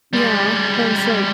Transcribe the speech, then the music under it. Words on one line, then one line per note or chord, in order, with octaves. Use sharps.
Yeah, and it's, like
G3 G#3